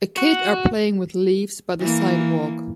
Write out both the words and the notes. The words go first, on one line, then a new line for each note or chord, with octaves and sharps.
A kid are playing with leaves by the sidewalk.
F#4
E3 A#3